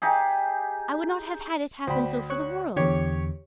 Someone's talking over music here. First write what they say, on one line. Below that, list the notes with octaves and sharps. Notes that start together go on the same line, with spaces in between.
I would not have had it happen so for the world.
D#4 G4 G#4
D2 C5 G5 B5
C#5 C#6 F#6
E2 D3 G4 C#5